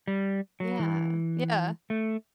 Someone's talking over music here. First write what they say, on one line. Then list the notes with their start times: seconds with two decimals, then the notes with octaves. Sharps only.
Yeah. Yeah.
0.08 G3
0.60 F#3
0.79 E3
1.90 A3